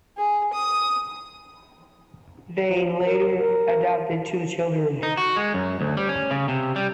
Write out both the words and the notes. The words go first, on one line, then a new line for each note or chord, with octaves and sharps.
They later adopted two children.
G#4
D#6
F3
A#4
A#4
D#4
F#4
G#3
F#2
D2
G3
C#4
C#3
C3
G3